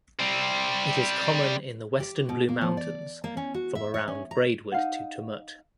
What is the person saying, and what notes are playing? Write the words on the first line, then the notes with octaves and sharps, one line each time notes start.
It is common in the western Blue Mountains from around Braidwood to Tumut.
G3 C4
G4
B2
A#3
F3
D5
A#3
C#4
F#4
E5
C#5
C#4
A#5
D#4 F5 F#5